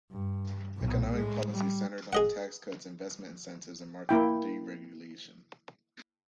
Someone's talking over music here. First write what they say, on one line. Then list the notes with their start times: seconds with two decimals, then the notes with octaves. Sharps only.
Economic policy centered on tax cuts, investment incentives and market deregulation.
0.12 G2
0.77 B1 A#2
1.14 A2 G#3
1.51 G3
2.13 G#4 D#5 F#5
4.09 A#3 E4 G5